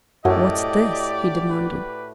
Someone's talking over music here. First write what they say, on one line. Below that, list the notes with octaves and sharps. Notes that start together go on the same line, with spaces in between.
"What's this?" he demanded.
F#2 A2 F#4 G4 A4 D5 D#5
B4